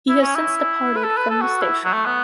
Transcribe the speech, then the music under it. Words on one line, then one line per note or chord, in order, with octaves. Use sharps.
He has since departed from the station.
E4
C#4
E4
B4
A4
B4
A4
F#4
E4
F#3
A3
B3